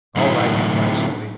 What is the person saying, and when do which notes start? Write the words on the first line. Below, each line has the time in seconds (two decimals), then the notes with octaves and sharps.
"All right!" he cried suddenly.
0.17 A2 D3 F#3 D#4 E4